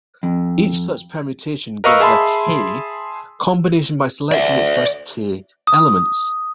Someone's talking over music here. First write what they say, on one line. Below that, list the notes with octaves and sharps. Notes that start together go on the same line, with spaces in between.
Each such permutation gives a "k"-combination by selecting its first "k" elements.
F2
A#4 B4 D#5 F5 C#6 E6
G#4 E5 A5 B5 C6
D5 E5
D#6